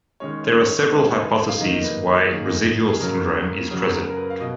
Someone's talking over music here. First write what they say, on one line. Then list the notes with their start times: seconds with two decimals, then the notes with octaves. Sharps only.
There are several hypotheses why residual syndrome is present.
0.20 D#3 G#3 C#4 C#5
0.44 C#5
0.67 C#5
0.90 D#3 G#3 C#4 B4
1.04 C#5
1.18 B4
1.48 F5
1.60 F#2 D#3 A#3 D#4 D#5
1.84 B4
2.07 C#5
2.30 F#2 D#3 A#3 D#4 G#4
2.88 G#4
3.00 F#2 C#3 F#3 C#4 A#4
3.71 F#2 C#3 F#3 C#4 G#4
3.94 A#4
4.10 A#4
4.17 B4
4.30 F5
4.41 B2 D#5